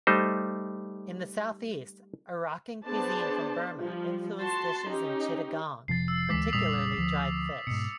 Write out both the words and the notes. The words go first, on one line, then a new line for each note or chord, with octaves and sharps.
In the southeast, Arakan cuisine from Burma influenced dishes in Chittagong, particularly dried fish.
G3 A3 D#4 C5
B3 D4 G#4 C5 D5 A5
F3 G3
F#4 A5 C6
C#4 D#4 G4
F1 C3 F3 A6 C7
E6
D2 E3 G#3 D6 B6
F1 A#2 G3 D#6 B6 F7
D2 F3
G#2 B2 C#7